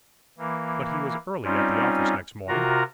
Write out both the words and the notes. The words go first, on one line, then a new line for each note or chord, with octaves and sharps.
But he was early at the office next morning.
E3 A#3
G3 C4 C#4 D#4 F4
C3 F4 F#4 A#4 A#5